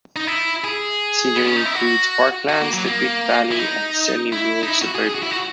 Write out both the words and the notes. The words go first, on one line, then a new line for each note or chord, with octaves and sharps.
Scenery includes park lands, the creek valley, and semi-rural suburbia.
D#4
E4
G#4
B3
C#4
D#4
E4
F#4
F#4
A#3
F#3
A#3
E4
D#4
E4
D#4
E4
F#4
G#4
G#4
F#4
E4
F#4